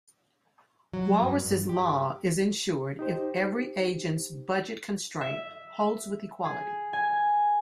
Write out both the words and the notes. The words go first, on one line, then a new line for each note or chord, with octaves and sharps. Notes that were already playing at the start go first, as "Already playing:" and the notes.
Walras's law is ensured if every agent's budget constraint holds with equality.
F#3
G2
G2
G4
D#4 G4 C5
E5
G#4
G#5